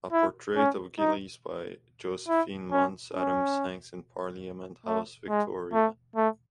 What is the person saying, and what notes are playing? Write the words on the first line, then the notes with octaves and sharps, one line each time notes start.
A portrait of Gillies by Josephine Muntz-Adams hangs in Parliament House Victoria.
E4
C#4
D#4
E4
C#4
C#4
A3
G#3
A3
A3